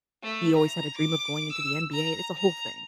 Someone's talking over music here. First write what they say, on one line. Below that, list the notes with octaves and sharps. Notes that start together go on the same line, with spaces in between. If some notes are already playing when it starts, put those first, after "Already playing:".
he always had a dream of going into the NBA it's a whole thing.
A3
A#5
D6
E6
A#5
A#5